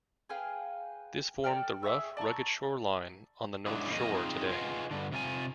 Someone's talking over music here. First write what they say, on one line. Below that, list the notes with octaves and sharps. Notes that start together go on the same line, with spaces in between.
This formed the rough, rugged shoreline on the North Shore today.
G#4 B4 F5 G5
A4 D5 G5 F6
G#4 E5 C#6 E6
D5 A5 A#5 C#6
G#2 F3 F#3 D4 E4 G#4
F2 A2 A#3 D#5
C4 D#4 F4 G#4
F4 G#4 B4 D#5 F5 F#5
G2 D3
C3 F4 A#4 G#5